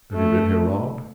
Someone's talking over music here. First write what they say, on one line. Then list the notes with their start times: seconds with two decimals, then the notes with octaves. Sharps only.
"Have you been here long?"
0.14 A3